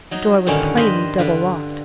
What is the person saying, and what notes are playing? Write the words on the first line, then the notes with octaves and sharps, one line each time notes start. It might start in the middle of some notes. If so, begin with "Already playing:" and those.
The door was plainly double-locked.
F#3 D#4
G2 A#2 D3 D#3 C#4
B4 C5 D#5 F5 B5
D3 F4 B4